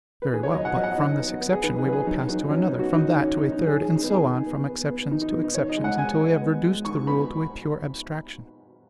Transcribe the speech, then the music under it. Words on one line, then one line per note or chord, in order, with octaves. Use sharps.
Very well; but from this exception we will pass to another, from that to a third, and so on from exceptions to exceptions, until we have reduced the rule to a pure abstraction.
B4
D#3 G#4
C#5
F#3 D#5
F#5
F#3 D#5
F#5
D#5
D#3
B3
B3
G#4
D#3 B4
G#4
F#3 B4
G#4
F#3 D#4
F#3 D#4
F#3 C#4
D#4
B3
F#4
D#3 D#4
D#3 C#4
D#3 D#4
D#4
F#3
G#4
D#3 G#4
D#4
B3
G#4
D#3
B3
B3
B3
D#3 D#4
D#4
B3
D#4
D#3 C#5
D#5
G#3
F#5
G#3 G#5
G#3
B3
G#3
D#3 C#6
B3 B5